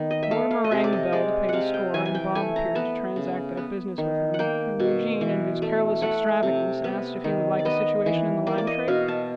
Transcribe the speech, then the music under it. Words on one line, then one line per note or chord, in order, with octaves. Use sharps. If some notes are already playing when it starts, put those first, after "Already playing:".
Mortimer rang the bell to pay the score, and Bob appeared to transact that business with him: whom Eugene, in his careless extravagance, asked if he would like a situation in the lime-trade?
Already playing: D#3 A#3 B3
D#5
E5
A3 F5
F5
D#5
C3 E5
D5
D#5
G#3 D5
C3 F5 F#5
G5
E3 G#5
G#5
G5
A3 G#5
A#5
B3 A5
C#3
B3
D#3
F#5
A#3 G5
B2
E3
A3
A3 F#5
C3
B3
D#3
D5
B3 D#5
E3
A#3 D5
D5
D#5
B2 F5
A5